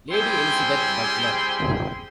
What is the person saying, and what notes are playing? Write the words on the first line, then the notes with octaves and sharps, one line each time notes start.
Lady Elizabeth Butler.
G3 C4 E4 G#4 G5 C6